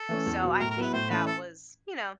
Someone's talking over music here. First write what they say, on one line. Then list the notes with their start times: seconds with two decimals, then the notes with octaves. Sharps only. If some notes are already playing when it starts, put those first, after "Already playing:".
so I think that was, you know,
Already playing: A4
0.09 E3 A3 C#4
0.26 E2
0.43 B2 F#3
0.60 A2 A#4
0.71 A#4
0.77 F#3 B3 E4 B4
0.93 A2 C5
1.10 E3 A3 C#4 E4 B4
1.27 A4